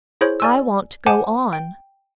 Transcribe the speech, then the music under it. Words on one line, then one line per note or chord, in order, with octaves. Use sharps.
"I want to go on."
E4 G#4 C5 C#5
D5 G#5 E6
C5 F#5 G#5 A5 D6
G5